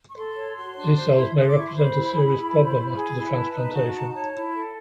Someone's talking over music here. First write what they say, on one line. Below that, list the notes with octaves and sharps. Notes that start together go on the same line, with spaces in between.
These cells may represent a serious problem after the transplantation.
C#6
A4 C6
C#5
F#4
D4
C5
E4
A4 D#6
D6
E4 C#6
C6
C5 B5
E4
G#4
E4
C5
E4
G#4
E4
G#5
B4 A5
D#4
F#4
D#4
C#5
E4
A4